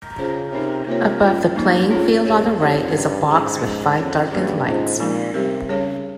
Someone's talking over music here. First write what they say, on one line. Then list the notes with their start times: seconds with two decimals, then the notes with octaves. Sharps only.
Above the playing field on the right is a box with five darkened lights.
0.18 C#3 C#4 F4 G#4 C5
0.52 C3 C4 D#4 A#4 C#5
0.87 C3 A#3 F4 A#4 C#5
1.21 G#2 G3 C#4 F4
1.55 G2 F3 A#3 D#4
1.90 F2 C#4 F4 G#4 C#5
2.25 C4 G4 A#4 C#5
2.59 C4 D#4 G4 C#5
2.93 G2 C#4 G#4 C#5
3.28 G#2 C#4 G#4 C5
3.62 F3 G#3 C#4
3.97 F2 C#4 G#4 C#5
4.31 G2 A#3 C#4 G#4 C#5
4.66 G#2 C#4 F4 C5
5.00 A#2 F3 G#3 C4 D#4
5.34 C3 G3 C4 G4 A#4
5.69 C#3 G3 C#4 G#4 C#5